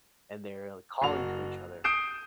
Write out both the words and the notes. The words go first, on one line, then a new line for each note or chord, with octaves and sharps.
and they're, like, calling to each other.
F#1 F#4 F7
D#6 G6 C7 D7 E7